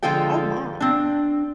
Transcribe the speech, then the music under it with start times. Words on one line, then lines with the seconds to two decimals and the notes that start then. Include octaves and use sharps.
Oh, my.
0.03 D3 F3 G#3 F4 A4 G5
0.80 C4 D4